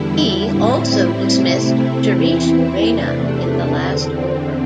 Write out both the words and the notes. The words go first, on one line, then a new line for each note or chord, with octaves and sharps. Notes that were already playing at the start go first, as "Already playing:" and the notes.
He also dismissed Suresh Raina in the last over.
Already playing: E2 D3 G3 E4
A2 G3 C4 E4
C3 A3 C4 E4
E2 E3 C4 E4
E2 C3 A3 D4
E2 D3 C4